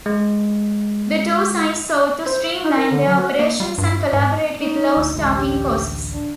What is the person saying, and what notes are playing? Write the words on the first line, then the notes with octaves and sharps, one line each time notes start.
The two sites sought to streamline their operations and collaborate with low staffing costs.
G#3
C5
D#4
A#4
D3
F#3
F#4
A#3
G3
G2
G#2
D#4
D2
A1 D2 G#3
G4
D4